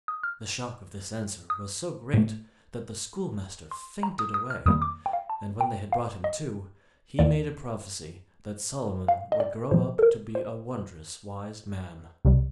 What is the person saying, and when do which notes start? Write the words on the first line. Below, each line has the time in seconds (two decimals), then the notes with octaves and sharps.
The shock of this answer was so great that the schoolmaster fainted away, and when they had brought him to he made a prophecy that Solomon would grow up to be a wond'rous wise man.
0.08 D#6
0.23 F6
1.50 D#6
2.14 A2 A3
3.71 C6
4.03 A#5
4.19 D#6
4.34 D#6
4.50 F6
4.66 F2 D#3 G3 A#3 D#6
4.82 D6
5.06 G5
5.13 F5
5.30 A5
5.61 G5
5.92 F5
6.24 D#5
7.19 D#2 D#3 A#3 D5
9.08 F5
9.32 D#5
9.40 D5
9.71 A#2 F3 A#3 C5
9.99 A4
10.03 A#4
10.35 C5
12.25 C2 C3 G3